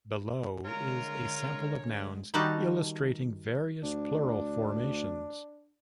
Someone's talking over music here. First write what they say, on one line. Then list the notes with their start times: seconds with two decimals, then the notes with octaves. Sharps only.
Below is a sample of nouns, illustrating various plural formations.
0.65 D3 G#3 F4 A#4 C#5
2.34 D#3 G3 D#4 F#4 G4 A5
3.83 D2 D4